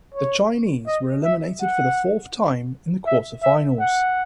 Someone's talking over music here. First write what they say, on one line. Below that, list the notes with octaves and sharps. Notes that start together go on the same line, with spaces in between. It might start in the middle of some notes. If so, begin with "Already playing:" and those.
The Chinese were eliminated for the fourth time in the quarterfinals.
C#5
D#5
E5
F#5
E5
E5
F#5